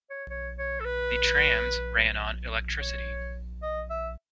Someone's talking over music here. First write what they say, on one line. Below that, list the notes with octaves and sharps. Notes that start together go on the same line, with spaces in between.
The trams ran on electricity.
C#5
C#5
C#5
A4
B4
C#5
D#5
E5